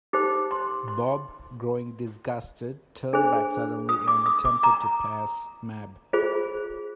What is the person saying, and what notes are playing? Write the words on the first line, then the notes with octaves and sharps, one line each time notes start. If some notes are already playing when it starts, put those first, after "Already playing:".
Bob, growing disgusted, turned back suddenly and attempted to pass Mab.
D#4 G4 C5 D6
C6
C6
D4 G#4 C5
D#6
D6
D#6
D6
A#5
F4 G#4 C5